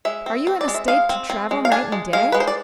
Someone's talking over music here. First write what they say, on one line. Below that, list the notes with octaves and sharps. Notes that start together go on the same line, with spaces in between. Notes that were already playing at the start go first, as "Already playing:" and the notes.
Are you in a state to travel night and day?
G#3 E5
C4
C4
D5
G#3
E5
G#3 F5
C4
C4
G#3
F5
D4 G#5
G#3
G#3 F5
G#3 B4
C5
D5